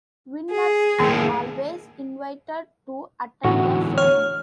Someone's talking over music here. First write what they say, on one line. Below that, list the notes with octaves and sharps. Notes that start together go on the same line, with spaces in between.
Winners are always invited to attend the ceremony.
G#4
D#2 A2
E2 A2 D3 F#4
C#5 F6